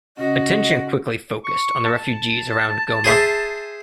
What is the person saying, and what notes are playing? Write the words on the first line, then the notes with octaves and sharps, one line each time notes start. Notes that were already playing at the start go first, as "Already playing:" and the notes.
Attention quickly focused on the refugees around Goma.
C#3 C#4 F#4 D#5
C#6
A5
G#4 C5 E5